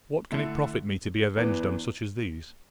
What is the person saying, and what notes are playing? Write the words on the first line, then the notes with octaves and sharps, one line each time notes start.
What can it profit me to be avenged on such as these?
D3 A3 E4 A4
E2 E3 B3 D4